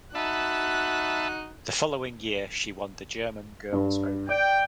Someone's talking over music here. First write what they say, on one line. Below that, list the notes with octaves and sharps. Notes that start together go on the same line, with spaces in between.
The following year she won the German Girls Open.
D#4 F#4 E5 A5 B5 F#6
G2
D5 G5